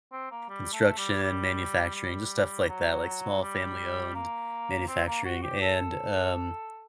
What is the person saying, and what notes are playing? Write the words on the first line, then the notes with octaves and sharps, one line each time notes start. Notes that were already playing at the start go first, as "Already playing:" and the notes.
construction, manufacturing, just stuff like that, like small family-owned manufacturing and, um,
C4
A#3
G3
A3
G3
G3
G3
F#3
G3
A#3
C4
A#3
F#4
G4
A4